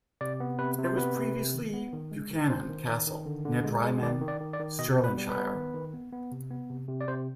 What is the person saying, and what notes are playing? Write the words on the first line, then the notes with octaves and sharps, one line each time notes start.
It was previously Buchanan Castle, near Drymen, Stirlingshire.
C3 D5
B3
C3 B4
C3
C5
B3 B4
C3
C3
D#3
B3
D#3
G#3
D#3
D#3 C5
D#3
D#3
D#3
D3
D3
G#3
G#3
D#3 D5
D#3
D5
D#3
D5
D#3
B2 D#5
B3
B4
G3
B4
B3
D#3
D#3
B3
B3
C3
B3
C3
C3
D5
C3 C5